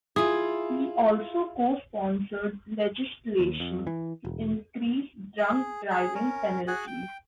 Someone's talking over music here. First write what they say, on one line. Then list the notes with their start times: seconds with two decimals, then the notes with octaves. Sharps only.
He also co-sponsored legislation to increase drunk driving penalties.
0.16 E4 F4 G#4
3.40 D#2
3.60 F2
3.87 E3
4.25 E1
5.38 G#4
5.90 G#4
6.15 C#4 A#4
6.67 F#4 G#4 F#5 G#5
6.87 G5